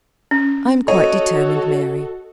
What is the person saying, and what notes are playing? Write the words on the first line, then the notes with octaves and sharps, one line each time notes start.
I am quite determined, Mary.
C#4
F#4 A4 C#5 D#5